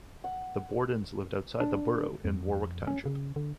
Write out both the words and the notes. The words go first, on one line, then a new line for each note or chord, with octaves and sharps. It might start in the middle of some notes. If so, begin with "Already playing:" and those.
The Bordens lived outside the borough in Warwick Township.
F#5
D4
F2
C#4
C#3
D3